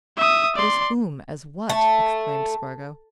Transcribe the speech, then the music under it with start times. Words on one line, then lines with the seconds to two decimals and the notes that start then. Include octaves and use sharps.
"But as whom--as what?" exclaimed Spargo.
0.17 E5 D#6
0.56 D5 C6
1.69 A3